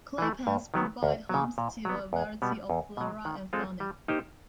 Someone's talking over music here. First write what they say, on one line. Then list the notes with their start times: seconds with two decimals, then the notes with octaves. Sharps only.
Claypans provide homes to a variety of flora and fauna.
0.18 E3 A3
0.47 G2
0.74 D#3 F#3 B3
1.03 D2
1.29 C#3 F#3
1.58 A#2
1.85 F#3 B3
2.13 E2
2.42 B2 G3 B3
2.70 E2
2.97 B2 F#3
3.25 D#3
3.53 G#3 C4 F4 A4
3.80 G3
4.08 A#3 D#4 G4 C5